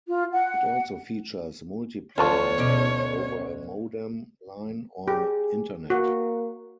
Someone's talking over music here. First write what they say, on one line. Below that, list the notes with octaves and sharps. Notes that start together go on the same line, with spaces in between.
It also features multiplayer mode over a modem line or Internet.
F4
F#5
D2 F4 C#5 A5 C#6
B2 C#4 D5
G4 G#4
A#3 F#4